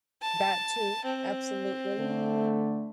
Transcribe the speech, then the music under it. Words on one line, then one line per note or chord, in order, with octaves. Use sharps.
That too, absolutely.
A5
C4
D3 A3